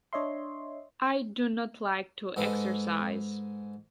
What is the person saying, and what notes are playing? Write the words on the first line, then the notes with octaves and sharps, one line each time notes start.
I do not like to exercise.
D4 C#5 D#5 E5 C6
G#2 G#3 A4 B4